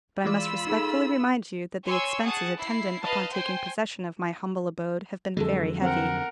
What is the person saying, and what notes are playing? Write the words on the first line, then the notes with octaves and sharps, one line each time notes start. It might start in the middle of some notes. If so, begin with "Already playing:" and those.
But I must respectfully remind you that the expenses attendant upon taking possession of my humble abode have been very heavy.
E3 G#3 F4 D5 B5 E6
D#4 G#4 A4
C#5 G#5 C6 C#6 E6
G#4 F#5 A5 D#6
E4 C7
B4 D#5 F5 A5
C5 G5 G#5 C6
F2 D3 F#3 G#3 A4
C4 A#4 F#5